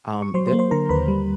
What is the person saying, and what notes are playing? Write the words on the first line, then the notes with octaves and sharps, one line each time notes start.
Um, that
C#6
F#3 C5 C6
C5 C6
A#3
C5 C6
D3 A#4 A#5
D#2 B4 B5
G3